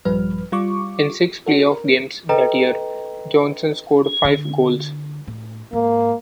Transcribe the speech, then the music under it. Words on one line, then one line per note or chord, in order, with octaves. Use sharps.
In six playoff games that year, Johnson scored five goals.
A#1 G2 F3 G3 B4 F6
G3 F4 C#6 D6
C#4 F#4 A4
A#4
A4 B4 D#5 G5 A#5
D3
A2
G#2 A#3